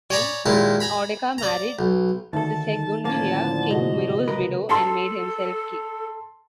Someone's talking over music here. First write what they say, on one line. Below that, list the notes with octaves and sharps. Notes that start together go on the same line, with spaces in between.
Then Audeca married Siseguntia, king Miro's widow, and made himself king.
C#5 D5 G#5 A#5 B5 D#6
D#2 A#2 G#3 E4 A5
G#5 A#5 B5
D5 A#5
B1
D2 D#3 A4 A5
A2 D3 F3 A#3 C#4 A5
G#2 C3 G3 F#4 D#5
C#2 A#4 B4
A4 A5 C6